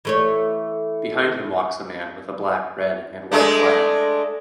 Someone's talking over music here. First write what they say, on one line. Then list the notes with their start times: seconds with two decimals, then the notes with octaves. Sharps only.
Behind him walks a man with a black, red, and white flag.
0.05 E3 A3 C#5
3.32 G#3 A3 D4